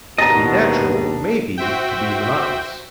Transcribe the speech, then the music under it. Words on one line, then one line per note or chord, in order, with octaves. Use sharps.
To be natural may be to be monotonous.
D#2 B2 D4 F#4 D#5 A#5 A6 A#6
F#4 C5 E5 G5